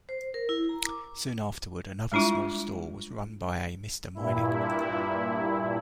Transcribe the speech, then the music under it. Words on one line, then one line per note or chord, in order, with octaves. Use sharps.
Soon afterward another small store was run by a Mr. Mining.
C5
A#4
E4
A#5
D6
G3 G#3 D4 E4 F4
G2 A#2 E4